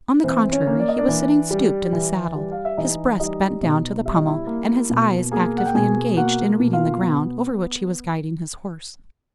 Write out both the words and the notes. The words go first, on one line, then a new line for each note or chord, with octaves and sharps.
On the contrary, he was sitting stooped in the saddle, his breast bent down to the pommel, and his eyes actively engaged in reading the ground, over which he was guiding his horse.
E3 C4 C5
C#4 C#5
A#3
D5
D#5
D4 D5
E3
G3
E3
G3
F5
E5
E3 D#4 D#5
G3 D#4 D#5
B2 D#4 D#5
G3 E5
D#5
E4 E5
A#3
B2
A#3 G#4 G#5
F#5
G5
B2 G#4 G#5
A#3 F#4 F#5
B2
F4 F5
B3